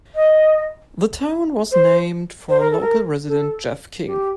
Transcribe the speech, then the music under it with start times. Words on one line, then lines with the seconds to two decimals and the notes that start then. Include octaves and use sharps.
The town was named for local resident, Jeff King.
0.15 D#5
1.72 C5
2.49 C5
2.60 A#4
2.71 A4
2.81 A#4
3.28 A4
4.06 G4